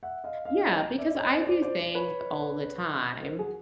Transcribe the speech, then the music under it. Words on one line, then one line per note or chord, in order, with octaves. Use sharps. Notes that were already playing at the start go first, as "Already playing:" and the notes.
Yeah, because I do things all the time
E5 F#5
D#5 F5
D#5 F5
C#5 D#5
D5 E5
C#5 D#5
C5 D5
C5 D5
C5 D5
C5 D5
B4 C#5
A#4 C5
F#4 G#4